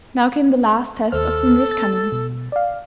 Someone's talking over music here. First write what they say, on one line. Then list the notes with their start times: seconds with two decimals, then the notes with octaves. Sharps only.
Now came the last test of Sindri's cunning.
1.12 D#2 A4 C5 F6
1.71 A6
2.12 B2
2.52 D5 F5